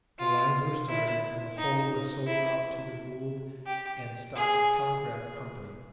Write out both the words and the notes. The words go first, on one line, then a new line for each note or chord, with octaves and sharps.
The lines were started, and the whole was sold out to the Gold & Stock Telegraph Company.
F4
E4
D#4
E4
G4
G#4